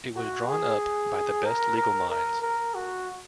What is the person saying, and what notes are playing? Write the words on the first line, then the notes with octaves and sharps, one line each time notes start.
It was drawn up by the best legal minds.
F#4
G#4
A#4
A#4
A#4
A#4
F#4